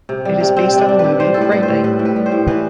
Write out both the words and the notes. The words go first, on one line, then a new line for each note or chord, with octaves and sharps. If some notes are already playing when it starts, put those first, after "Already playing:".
It is based on the movie "Fright Night".
C3
G3
C3
G3 C4
C3
D4
G3
B4
C3
G3 C5
A2 A4
B4
G3 B4
C5
A2
G3 B4
A2
B4
G3
C5
A2
E3 B4